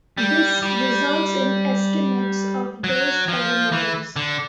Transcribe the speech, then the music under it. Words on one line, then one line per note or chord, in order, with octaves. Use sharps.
This results in estimates of those parameters.
G3
G3
F#3
F3
E3
D3